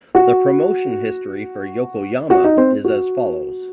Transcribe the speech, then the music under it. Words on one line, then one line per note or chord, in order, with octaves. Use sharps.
The promotion history for Yokoyama is as follows.
F#4 F#5
F#4 F#5
D#4 D#5
C4 C5
F#4